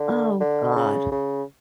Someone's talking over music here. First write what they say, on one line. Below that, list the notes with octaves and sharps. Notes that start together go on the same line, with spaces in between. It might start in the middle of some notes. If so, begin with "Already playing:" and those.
Oh, god.
Already playing: D3
D3
C#3
C#3